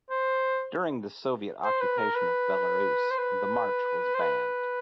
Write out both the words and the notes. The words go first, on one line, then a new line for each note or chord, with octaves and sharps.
During the Soviet occupation of Belarus, the March was banned.
C5
C5
B4
A#4
B4
C5
B4
C5
B4